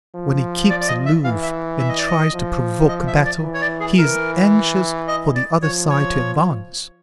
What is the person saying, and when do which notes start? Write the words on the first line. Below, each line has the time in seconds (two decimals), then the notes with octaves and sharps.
When he keeps aloof and tries to provoke a battle, he is anxious for the other side to advance.
0.15 F3
0.70 D5
0.81 D5
0.88 D#5
1.06 E5
1.24 E3 F5
1.42 E5
1.79 E5
1.89 D#5
1.98 D5
2.08 D#5
2.34 F3
2.88 D#5
3.07 E5
3.25 D5
3.44 E3
3.54 C#5
3.62 D5
3.80 G#4
3.98 E3 A#4
5.08 D#5
5.36 D5
5.62 F3 C#5
5.90 C#5